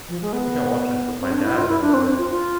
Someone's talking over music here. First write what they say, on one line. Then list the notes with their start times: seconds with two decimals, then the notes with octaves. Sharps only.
think I watched this with my dad a little bit,
0.08 F3
0.21 G#3
0.32 B3
1.20 C4
1.31 D4
1.43 E4
1.56 F4
1.68 E4
1.81 D4
1.93 C4
2.18 F4
2.30 F4